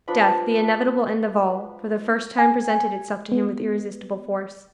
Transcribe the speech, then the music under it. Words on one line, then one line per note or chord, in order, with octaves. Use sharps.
Death, the inevitable end of all, for the first time presented itself to him with irresistible force.
F3 D4 B4 B5
G#5
B3